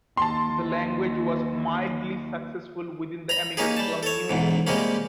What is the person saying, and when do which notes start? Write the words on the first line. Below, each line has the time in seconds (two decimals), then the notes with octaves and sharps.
The language was mildly successful within the Amiga community.
0.17 D#2 A5 C6
3.29 A#5 B5
3.57 A#3 C#4 D#4 G4 G#4
3.77 G3 A5
4.03 A4 C#5
4.30 B1 E2 G#2
4.67 C3 G3 G#3 A#3 C#4